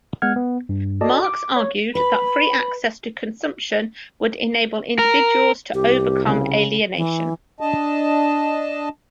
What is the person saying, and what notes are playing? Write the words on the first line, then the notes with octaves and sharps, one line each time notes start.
Marx argued that free access to consumption would enable individuals to overcome alienation.
G#3 B3 F#5 F6 G#6
B3
G2
F#4 A4 D5 D#5 A5
D6
C#5
B4 B5
A#4
C2 G4
C#3
E3
D4 D#5 A5